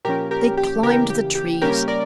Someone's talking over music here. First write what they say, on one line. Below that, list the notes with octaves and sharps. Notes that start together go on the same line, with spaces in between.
They climbed the trees.
A#2 F3 C#4 G4 A#4
G4 A#4
G4
C#3 E3 A#3 G4 A#4
G4
G4
C#3 G3 A#3 C#4 G4 A#4
A#4 D5